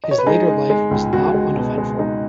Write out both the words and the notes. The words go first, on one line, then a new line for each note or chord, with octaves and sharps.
His later life was not uneventful.
D#5
C#5
B4
G#3 D#4 G#4
G#3
G#3
C#2
C#2 F#4
G#3
B2
G#3
G#3 D#4